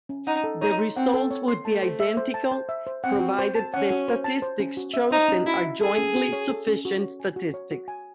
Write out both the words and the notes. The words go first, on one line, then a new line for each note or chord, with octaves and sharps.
The results would be identical provided the statistics chosen are jointly sufficient statistics.
C#4
D#4 F#5
A4
D#4 C#5
C6
C4 F#5
A4
C#5
C6
A3 A5
C5
E5
C5
A5
C5
E5
C5
C4 F#5
F#4
C5
A5
C#4 F#5
F#4
C5
A5
C5
C#4
F#4
E5
D#4 C5
C#4
E4 F#4
E5
G#4 A4
C#4
F#4
C#5
A4
C#4
F#4
C#5
G#5
F#4
C#5
F#4
G#5